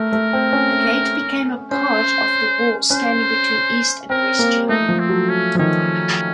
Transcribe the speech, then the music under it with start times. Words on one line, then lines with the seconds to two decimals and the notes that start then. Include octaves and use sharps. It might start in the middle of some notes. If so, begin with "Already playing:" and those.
The gate became a part of the wall, standing between East and West Germany.
Already playing: A3 A#4
0.12 A3
0.33 C4
0.53 C#4
1.71 C#4 C5
2.90 C#4 C5
4.10 C4 A#4
4.39 A#3
4.69 A3 D#4
4.89 F3
4.99 C4
5.09 F#3
5.29 C#4
5.55 F3
5.58 D#3 C#4